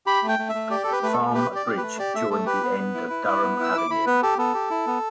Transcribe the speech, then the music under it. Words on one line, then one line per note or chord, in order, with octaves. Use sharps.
Farm Bridge joined the end of Durham Avenue.
G4 B5
A3
G5
A3
E5
A3
G4 D5
G4 A4
B4
A3 B4
A4
A3
G4 B4
G4
D5
G4
A3 B4
G4 D5
A3 E5
A3 A4
G4 B4
B3
B3
E4
E4
E4
B3
E4 E6
E4 D6
E4 B5
B3 B4
G4 A4
B3 A4
G4
E4
B3